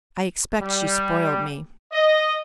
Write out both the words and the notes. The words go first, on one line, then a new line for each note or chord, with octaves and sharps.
I expect she spoiled me.
G3
D#5